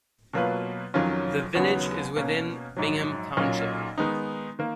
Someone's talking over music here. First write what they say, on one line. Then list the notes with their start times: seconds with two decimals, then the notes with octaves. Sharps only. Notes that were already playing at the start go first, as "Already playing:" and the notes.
The village is within Bingham Township.
0.33 B2 F#3 A#3 F4 B4
0.94 F2 D#3 F#3 C#4 F4
1.55 D#2 C#3 F#3 B3 F#4
2.16 B2 A#3 C#4
2.77 A#1 G#2 F#3
3.37 B1 A#2 F#3 C#4 F4
3.98 D#3 G#3 B3 D#4
4.59 D#3 A#3